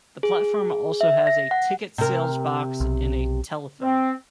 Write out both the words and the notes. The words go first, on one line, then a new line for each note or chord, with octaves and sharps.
The platform also has a ticket sales box and a telephone.
G#4
E5
A#6
F#5
C3 A#4
B1
C4